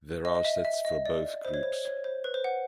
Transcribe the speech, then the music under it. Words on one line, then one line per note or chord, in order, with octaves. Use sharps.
There are sets for both groups.
D#5
D#5
E5
E5
D#5
D5
C5
C#5
C5
C#5
C5
B4
C5
F#5